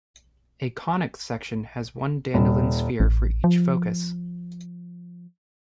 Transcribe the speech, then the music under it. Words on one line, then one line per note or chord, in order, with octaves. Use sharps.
A conic section has one Dandelin sphere for each focus.
D#1
A1
F3